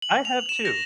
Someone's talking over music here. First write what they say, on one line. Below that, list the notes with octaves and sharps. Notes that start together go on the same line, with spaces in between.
I have too.
F#7
F7
E7
A#6